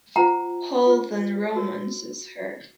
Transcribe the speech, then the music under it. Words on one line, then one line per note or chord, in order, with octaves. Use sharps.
Hall then romances her.
F4 C5 F#5 A#5
F4 C5
F#4 A#4 C#5